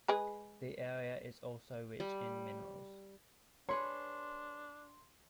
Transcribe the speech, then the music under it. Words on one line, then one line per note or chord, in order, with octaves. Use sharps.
The area is also rich in minerals.
G#3 G#4 B4
G3
D4 G#4 B4 C#5 C6